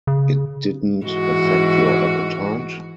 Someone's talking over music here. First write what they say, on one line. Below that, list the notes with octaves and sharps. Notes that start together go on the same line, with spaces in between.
It didn't affect your appetite?
C#3
G#2 E3 F#4